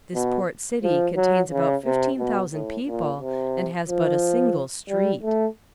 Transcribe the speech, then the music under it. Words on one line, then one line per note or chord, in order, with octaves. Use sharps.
This port city contains about fifteen thousand people and has but a single street.
B2
F3
F#3
C#3
C3
B2
A2
A#2
C3
F3
G3
A3